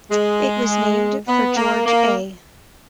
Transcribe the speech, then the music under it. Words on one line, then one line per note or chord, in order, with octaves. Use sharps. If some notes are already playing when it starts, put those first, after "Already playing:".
It was named for George A.
G#3
B3
A#3
A#3